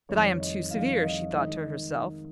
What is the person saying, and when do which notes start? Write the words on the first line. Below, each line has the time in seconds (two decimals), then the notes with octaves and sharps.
"But I am too severe," she thought to herself.
0.09 F2 D#3 G3 C#5
0.40 D#5
0.70 F2 D#3 G3 F5
1.01 D#5
1.31 D#3 G#3 D#5